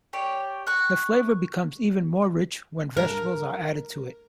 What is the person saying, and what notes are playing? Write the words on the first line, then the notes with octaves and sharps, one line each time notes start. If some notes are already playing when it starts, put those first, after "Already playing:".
The flavour becomes even more rich when vegetables are added to it.
G4 C#5 D5
C#6 F6 F#6
A#4